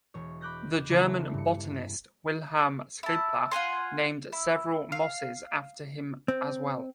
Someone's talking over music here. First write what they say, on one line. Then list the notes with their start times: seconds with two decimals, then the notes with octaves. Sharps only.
The German botanist Wilhelm Schimper named several mosses after him as well.
0.14 E1 C#5
0.41 B5 D6 F#6 G6 A#6
0.89 C#3 E3 A3 A#3 C4 D4
1.34 G2 C#7
3.03 E4 A5
3.51 F4 F#5 G#5 C6
4.32 E4
4.92 F5
6.28 C4